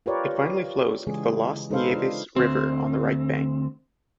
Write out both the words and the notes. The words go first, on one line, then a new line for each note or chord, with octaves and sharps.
It finally flows into the Las Nieves river on the right bank.
F4 G4 A#4 B4 C#5 D5
C#3 E3 G#3 G#4
G#3 D#4 A4 B4 C5 F5
D4 F4
D2 C4